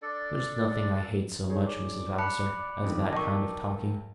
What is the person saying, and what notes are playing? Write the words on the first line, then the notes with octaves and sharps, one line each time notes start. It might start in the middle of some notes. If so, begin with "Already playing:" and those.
There's nothing I hate so much, Miss Vavasor, as that kind of talking.
D4 A4 D5
D#4 G#4 C#5
D5
A5 B5 F#6 C#7
F2 D3 D#3
B1 A#4 D#5 G5 A5 C#6